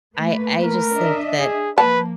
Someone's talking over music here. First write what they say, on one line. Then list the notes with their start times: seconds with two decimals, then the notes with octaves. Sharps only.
I I just think that
0.16 A3 A#3 B4
0.64 A#4
0.95 D4 D#5 E5
1.39 G#4
1.78 F3 A#3 B4 A5